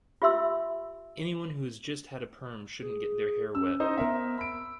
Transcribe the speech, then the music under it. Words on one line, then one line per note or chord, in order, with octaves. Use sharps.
Anyone who has just had a perm shouldn't get their hair wet.
F4 G4 E5 C6 E6
G#4
C#4 E6
D#4 C5 D#5
B3 A#4 C5 E5
B5 E6 D7